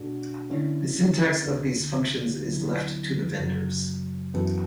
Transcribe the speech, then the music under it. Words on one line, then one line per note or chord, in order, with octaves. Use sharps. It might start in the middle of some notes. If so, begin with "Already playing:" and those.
The syntax of these functions is left to the vendors.
Already playing: B2 A3 D4 F#4 A4
D3 A3 C#4 E4
D2 D3 A3
D2 D3 F#3 B3 E4
F#2 C#3 F#3
F#2 E3 B3 F#4 A4